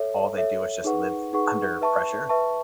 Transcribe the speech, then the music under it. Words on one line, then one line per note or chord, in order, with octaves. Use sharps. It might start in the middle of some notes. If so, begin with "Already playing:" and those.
all they do is just live under pressure?
Already playing: A4 C#5 E5
A4 C#5 E5
D#4 G#4 B4 F#5 C#6
D#4 G#4 B4 F#5 C#6
B4 E5 A5 C#6
B4 E5 A5 C#6